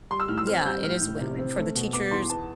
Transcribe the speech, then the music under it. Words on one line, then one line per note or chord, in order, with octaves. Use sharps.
Yeah, it is win-win, for the teachers,
G3 C6
E6
A2 F6
E6
C4 F6
G3 G6
A2 F6
A2
C3
C4
A3
B2
B3 D6
E2 C6
B3 A5